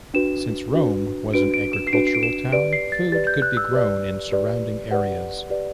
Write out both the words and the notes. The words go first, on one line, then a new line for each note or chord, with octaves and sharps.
Since Rome was an agricultural town, food could be grown in surrounding areas.
D4 F#4 B4 E7
D4 F#4 B4
D4 F#4 B4 D7
D7
E7
C7
D4 F#4 B4 D7
C7
D7
E7
G4 B4 D5 D7
C7
A6
G4 B4 D5 A6
G6
F#6
E6
G4 B4 D5
G4 B4 D5
G4 B4 D5 F#5
G4 B4 D5